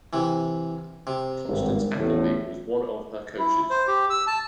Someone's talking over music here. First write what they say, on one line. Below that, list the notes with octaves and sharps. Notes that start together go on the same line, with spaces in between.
Constance Applebee was one of her coaches.
C3 E3
C3
G#1 G2
A1 E2 A2
E4
C5
G4
E6
A5